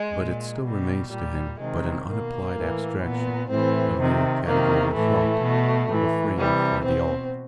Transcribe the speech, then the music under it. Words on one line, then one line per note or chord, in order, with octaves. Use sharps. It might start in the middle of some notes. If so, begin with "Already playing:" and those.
But it still remains to him but an unapplied abstraction, a mere category of thought, a frame for the All.
Already playing: G#3
A#2
B2 G3
A#2 G3
C3 D#3 G#3
B2 A#3
A2 E3
A#2 B3
A2 E3 C4
C3 D#3
C3 D#3 A#3
A2 E3 A3
B2
A2 E3
C3 E3 G3
B2 C4